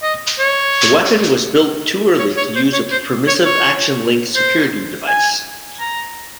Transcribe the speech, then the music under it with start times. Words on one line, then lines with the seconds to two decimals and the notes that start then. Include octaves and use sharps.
The weapon was built too early to use a permissive action link security device.
0.03 D#5
0.39 C#5
2.19 C#5
2.37 C#5
2.55 C5
2.73 C#5
2.91 C5
3.27 C#5
3.46 C#5
4.36 C5
5.08 G#5
5.80 A#5